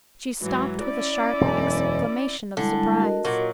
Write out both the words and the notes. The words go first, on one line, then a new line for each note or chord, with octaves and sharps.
She stopped with a sharp exclamation of surprise.
G#2 E3 F#3
C#4 E4 D5
E1 F#2
D3 G3 G#3 E4
F#4 A#4 D#5
A#2 F#3